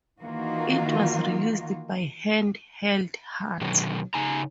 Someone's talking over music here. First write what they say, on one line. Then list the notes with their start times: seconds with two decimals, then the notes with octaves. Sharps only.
It was released by Hand Held Heart.
0.21 D#3 E3 A#3 F4 F#4
3.61 B2 D3 D#3 F#3
4.14 C#3 D#4 G#5 A#5